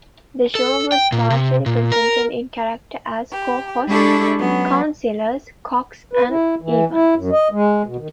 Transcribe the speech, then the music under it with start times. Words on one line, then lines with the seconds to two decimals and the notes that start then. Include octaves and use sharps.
The show was partially presented in character as 'co-hosts' Councillors Cox and Evans.
0.55 A4
0.92 G5
1.12 A#2
1.30 C3
1.66 A#2
1.92 A#4
3.31 G4
3.87 G#3 D4 E4 G4 A4 C#6
4.38 F#3 B3 C#4
6.13 B4
6.30 E4
6.62 E3
6.91 E4
7.16 F#2
7.32 D#5
7.52 G#3
7.86 B2
7.99 D#3